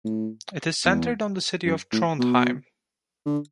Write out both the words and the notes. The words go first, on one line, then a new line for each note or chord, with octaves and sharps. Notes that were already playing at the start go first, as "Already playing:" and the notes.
It is centered on the city of Trondheim.
A2
E2
F#2
A2
B2
D3